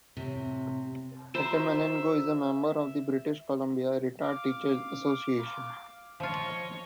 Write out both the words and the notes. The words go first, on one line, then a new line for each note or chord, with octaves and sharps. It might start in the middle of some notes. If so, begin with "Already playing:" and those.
Atamanenko is a member of the British Columbia Retired Teachers Association.
A2 C3
F4 F#4 C5 E5 A#5
F5 D6
F3 F4 C#5 D#5